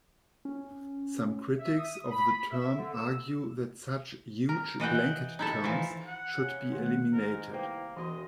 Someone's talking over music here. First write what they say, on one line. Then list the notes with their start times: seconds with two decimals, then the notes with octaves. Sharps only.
Some critics of the term argue that such "huge blanket terms" should be eliminated.
0.45 C#4
1.59 E5
1.77 D#6
2.11 B5
2.52 E5
2.77 D3
2.94 E6
4.49 A#4
4.80 E3 D#5 F#5 G5
5.39 D#4 E4 A4
5.64 E3 F3
6.07 F#5
6.37 C#3
6.73 D#3 A3 F#5
7.13 G#2 A#4
7.52 C2 A#3 B4 C5 G5
7.97 E1 E3 F#4 D#5 C6